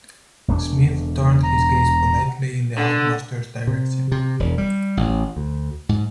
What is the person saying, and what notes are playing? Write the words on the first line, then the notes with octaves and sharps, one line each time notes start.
Smith turned his gaze politely in the housemaster's direction.
E1 A3 D4
A#5
D3
C3
C3
E1
G3
A1
D2
G#2